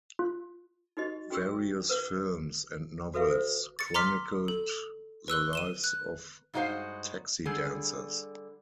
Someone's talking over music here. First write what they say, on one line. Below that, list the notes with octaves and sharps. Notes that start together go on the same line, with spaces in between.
Various films and novels chronicled the lives of taxi dancers.
F4
D#4 F#4 G4 D#5
C#4 F#4 G#4 G5 C#6 E6
A#4 B4 F#5
F#4 A4 B4 E5 F5
C5
A6 C#7
A#5 C6 D6 F6 B6
A4
B4 E6 F#6 G7
D#7 E7 G7
F#6
G2 G#3 D#4 F#4 C5 F5
D3 G3 G#4